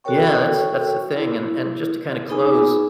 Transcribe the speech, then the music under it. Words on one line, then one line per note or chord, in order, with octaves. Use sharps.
Yeah, that's that's the thing, and and just to kinda close,
F#4 A4 A#4 C#5 G5 C#6
E4
B3 D#4 G#4 G#5 D6